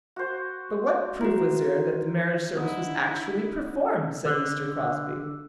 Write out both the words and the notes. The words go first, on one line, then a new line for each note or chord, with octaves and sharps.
"But what proof was there that the marriage service was actually performed?" said Mr. Crosby.
F#4 C5
E4 F#4 A#4
D3 D#4 E4 D#6
D3